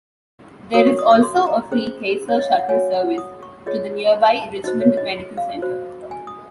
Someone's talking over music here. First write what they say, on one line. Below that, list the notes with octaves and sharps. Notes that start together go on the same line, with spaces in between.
There is also a free Kaiser Shuttle service to the nearby Richmond Medical Center.
F#4 A#4 C#5 D#6
C#6
D#6
D#6
C6
A#5
C#4 G#4 C5
C#5
D#5
F5
F#5
F#4 C#5 G#5
F#5
D#6
C#6
F4 G#4 C#5 D#5
D#4 F#4 C5 D#5
C#5
D#5
F5
F#4 C5
G#5
D#6